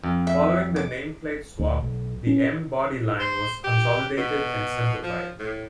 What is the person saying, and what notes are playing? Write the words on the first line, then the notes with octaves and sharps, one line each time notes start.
Following the nameplate swap, the M-body line was consolidated and simplified.
F2
E5
D6
D2
B1
C#4
C5
G4
B2
F3
A2